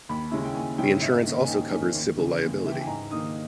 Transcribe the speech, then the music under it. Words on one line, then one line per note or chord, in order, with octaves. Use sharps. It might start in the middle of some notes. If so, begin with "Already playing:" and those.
The insurance also covers civil liability.
D#2 B5
C#3 G#3 C#4 E4
G5
D#2 G#5
C#3 G#3 C#4 E4 G5
G#2 E5
D#3 A#3 C#4
G#5
G#2 G5
D#3 A#3 C#4 G#5
D#2
C#3 E3
D#2
C#3 E3 E5
G5
G#5
G#2 A#5
D#3 A#3 D#4 D#6